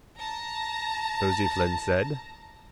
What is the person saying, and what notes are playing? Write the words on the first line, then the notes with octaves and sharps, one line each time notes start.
Nosey Flynn said.
A5 A#5